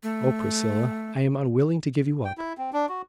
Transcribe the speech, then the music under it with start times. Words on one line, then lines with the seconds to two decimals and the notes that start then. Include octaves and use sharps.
Oh, Priscilla, I am unwilling to give you up!
0.03 A3
2.25 G5
2.38 E4
2.58 C4
2.73 D4
2.89 F#4